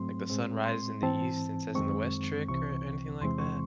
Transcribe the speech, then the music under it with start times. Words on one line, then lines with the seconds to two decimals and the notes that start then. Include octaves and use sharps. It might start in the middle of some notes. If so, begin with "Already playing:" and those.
like, the sun rises in the east and sets in the west trick or anything like that,
Already playing: G#2 F#3 A3 C4 C6
0.30 A2 G#3 C4
0.65 C6
1.02 G#2 E3 C4 A5
1.75 F#2 D#3 G#3 C4 C#6
2.48 C2 C3 E3 C4 C#6
3.21 E2 C3 E3 G#3 C4 C6
3.39 C#6